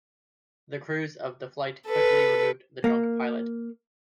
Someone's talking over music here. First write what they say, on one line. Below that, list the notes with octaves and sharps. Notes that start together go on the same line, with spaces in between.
The crews of the flight quickly removed the drunk pilot.
A4 B4
A#3